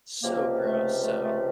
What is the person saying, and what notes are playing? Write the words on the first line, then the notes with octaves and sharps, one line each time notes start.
So gross, so
C#2 C3 F3 A#3
A3
A3
A3